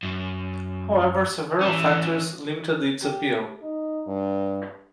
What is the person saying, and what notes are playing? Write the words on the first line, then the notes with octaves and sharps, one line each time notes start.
However, several factors limited its appeal.
F#2
E3 C#4
G4
D#4
G2